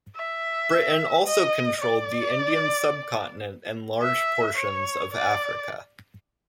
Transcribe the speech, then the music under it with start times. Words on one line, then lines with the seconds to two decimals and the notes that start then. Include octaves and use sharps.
Britain also controlled the Indian subcontinent and large portions of Africa.
0.16 E5
1.26 D#5
1.81 D5
4.02 E5
4.57 C#5
5.13 D5